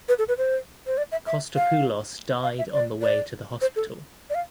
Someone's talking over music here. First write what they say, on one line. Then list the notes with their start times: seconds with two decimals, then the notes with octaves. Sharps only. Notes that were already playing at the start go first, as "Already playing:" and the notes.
Kostopoulos died on the way to the hospital.
0.09 B4
0.19 A4
0.28 B4
0.38 C5
0.87 C5
0.98 D5
1.12 E5
1.27 E5
1.56 F5
2.43 F5
2.58 E5
2.73 D5
3.02 D5
3.61 C5
3.76 A4
4.30 D5
4.35 F5